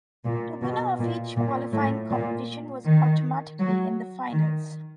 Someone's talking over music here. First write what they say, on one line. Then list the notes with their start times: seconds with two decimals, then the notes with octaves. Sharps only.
The winner of each qualifying competition was automatically in the finals.
0.24 A#2
0.61 B2
0.98 A#2
1.35 A#2
1.72 A2
2.10 A#2
2.84 D#3
3.58 F#3
4.32 D#3